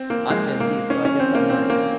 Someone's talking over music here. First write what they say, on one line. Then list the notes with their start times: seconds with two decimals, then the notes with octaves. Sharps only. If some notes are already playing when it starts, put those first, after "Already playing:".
I'm Gen Z so, I guess I'm like,
Already playing: C4
0.10 A#3
0.30 G#3
0.60 A#3
0.90 C#4
1.05 C#4
1.19 C4
1.35 A#3
1.50 C4
1.70 A#3